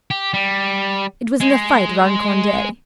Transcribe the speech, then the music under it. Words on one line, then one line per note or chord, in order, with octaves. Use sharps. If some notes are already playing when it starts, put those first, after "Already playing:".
It was in the fight round Conde.
G4
G3
G#3